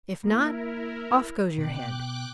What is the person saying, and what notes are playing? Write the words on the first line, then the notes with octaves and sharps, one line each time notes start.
If not, off goes your head.'
A#3 E4 A#4
B2 G5 D6 F#6